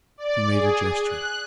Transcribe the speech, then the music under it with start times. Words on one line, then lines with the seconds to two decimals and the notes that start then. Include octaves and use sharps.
He made a gesture.
0.18 D5
0.51 G#4
1.04 F#6